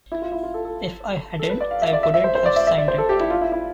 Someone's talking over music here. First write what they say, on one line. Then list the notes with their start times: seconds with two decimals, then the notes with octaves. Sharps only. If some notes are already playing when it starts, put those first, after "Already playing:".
If I hadn't, I wouldn't have signed it.
0.12 E4
0.22 F4
0.32 E4
0.43 F4
0.54 A4
0.65 A4
1.39 A4
1.50 B4
1.61 D5
1.71 F5
1.82 E5
1.93 D5
2.03 E5
2.14 E5
2.24 C5
2.35 C5
2.46 D5
2.56 E5
2.67 E5
2.78 D5
2.88 C5
2.98 A4
3.09 G4
3.20 E4
3.30 F4
3.41 E4
3.52 E4